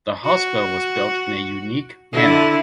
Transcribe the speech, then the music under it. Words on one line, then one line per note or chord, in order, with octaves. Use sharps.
The hospital was built in a unique manner.
F#4
D3 E4